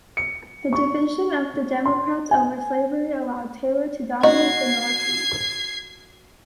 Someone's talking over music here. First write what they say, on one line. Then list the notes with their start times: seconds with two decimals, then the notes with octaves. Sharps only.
The division of the Democrats over slavery allowed Taylor to dominate the Northeast.
0.17 C#7
0.73 C#6
1.85 C6
2.31 G#5
4.23 A#2 D#4 F#4 G#6 C7